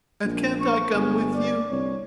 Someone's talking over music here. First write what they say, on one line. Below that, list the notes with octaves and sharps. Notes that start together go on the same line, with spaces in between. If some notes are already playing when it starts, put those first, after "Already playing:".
"And can't I come with you?"
A#1
C#6
G1 G#4
D5
C2 C#5